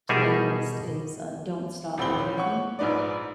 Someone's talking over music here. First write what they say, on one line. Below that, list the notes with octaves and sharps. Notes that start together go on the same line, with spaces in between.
playlist is, uh, "Don't Stop Believing,"
B2 G3 D#4 G#4 A#4 E5
D#1 A1 C4 B5 G7
C#4
C#5 F#5 C#6
A#1 G#2 D#4 B4 D5